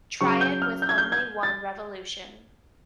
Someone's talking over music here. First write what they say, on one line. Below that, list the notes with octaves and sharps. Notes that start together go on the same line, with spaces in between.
Try it with only one revolution.
C#3 F#3 C#6
G6
F6
G6
G#6
G6
G#6
A6